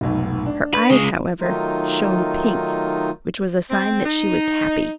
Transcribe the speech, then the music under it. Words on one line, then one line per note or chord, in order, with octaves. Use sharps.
Her eyes, however, shone pink, which was a sign that she was happy.
F1 B1 G#2
D4
B4
C#3 G#3
D#3 F#3 A3 D#4 F4
C4
D#4